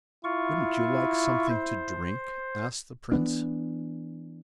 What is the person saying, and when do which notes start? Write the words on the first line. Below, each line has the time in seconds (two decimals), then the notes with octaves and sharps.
"Wouldn't you like something to drink?" asked the Prince.
0.24 E4 F4 C#6
1.50 C5
3.12 E3 F#3 B3 D4